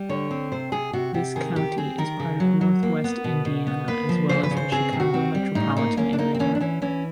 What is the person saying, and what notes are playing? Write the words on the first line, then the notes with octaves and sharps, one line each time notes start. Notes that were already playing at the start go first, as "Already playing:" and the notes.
This county is part of Northwest Indiana as well as the Chicago metropolitan area.
Already playing: G3
D3 C#5
C4
C3 C5
C3 G#4
C3 F#4
C3 G4
D#3 G#4
D#3 G4
C4 G#4
D#3 A#4
C#3
F#3
F#3
A#3
B3
B2
B2
B3
A#3 B4
F3
C#3 C5
B4
C#3
C5
C4 G#4
C3
F#4
C4
G3
A2 D#4
A#3 D#4
A#3 C#4
D4
A#3 D#4
C4
E3 C#4
D4
E3 C#4
E3 C#4